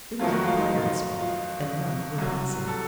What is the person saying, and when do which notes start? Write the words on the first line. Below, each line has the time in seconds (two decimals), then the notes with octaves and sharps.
It was a retired spot, and none were passing.
0.19 F2 D#3 F#3 A3 F4
0.32 F#4
0.44 F4
0.57 D#4
0.69 D#4
0.78 F4
0.86 D#4
1.19 F4
2.18 C2 C3 F#3
2.68 A4